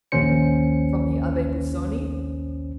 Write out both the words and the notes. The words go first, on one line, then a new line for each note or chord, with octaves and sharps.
"From the Abbe Busoni?"
A#1 D#2 C#4 C5 C#7